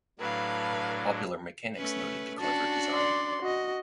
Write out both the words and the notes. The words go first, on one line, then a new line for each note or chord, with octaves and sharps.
Popular Mechanics noted the clever design.
A2 F#3 D4 B4 F5
A3 C#4 B4
C#4 D4 F#4 A5
D5 C6
F#4 D#5